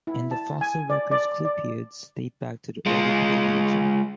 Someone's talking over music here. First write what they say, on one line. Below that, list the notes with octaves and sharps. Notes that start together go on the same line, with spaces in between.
In the fossil record clupeids date back to the early Paleogene.
E4
A5
G#5
D5
D5
D5
G#3 F4